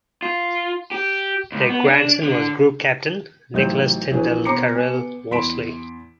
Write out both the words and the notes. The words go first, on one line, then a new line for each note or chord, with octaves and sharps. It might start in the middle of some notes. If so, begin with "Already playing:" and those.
Their grandson was Group Captain Nicolas Tindal-Carill-Worsley.
F4
G4
C#2
B3
D4
D3
A1 F#3 D#4 C5 G6
A#1 E3 C#4 G#4 B4
B2 C5 A#5 D6 C7 C#7
B3 G#5
E2 B5 C6 B6 D7 E7